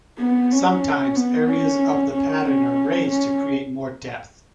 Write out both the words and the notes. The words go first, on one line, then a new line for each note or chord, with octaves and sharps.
Sometimes areas of the pattern are raised to create more depth.
B3
C#4
B3
C#4
C#4
C#4
C#4